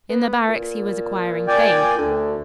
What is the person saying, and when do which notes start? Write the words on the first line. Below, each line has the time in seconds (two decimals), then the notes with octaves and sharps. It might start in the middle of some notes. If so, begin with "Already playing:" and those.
In the barracks he was acquiring fame.
0.09 B3
0.48 A#2
1.48 D5 G5 G#5
1.98 D2 D3